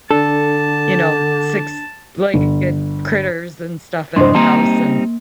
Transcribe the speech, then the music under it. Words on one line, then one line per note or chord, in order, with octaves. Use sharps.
you know, six-legged critters and stuff in the house, and
D3 D4 A4 A5
G1
C2 F#2 A2 D4 C5 D#5 C6
G3 A#3 C4 D#4 A#5